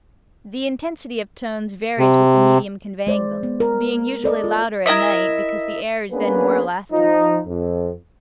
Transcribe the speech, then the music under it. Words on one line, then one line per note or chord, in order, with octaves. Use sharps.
The intensity of tones varies with the medium conveying them, being usually louder at night because the air is then more elastic.
C3
G#3 C5 D5
B3
A#4
A4 D5 D#5
F4
E4 A#4 D#5 E5
A#3 B3 C#4 D4 G#4 B4
F3 D#4
F2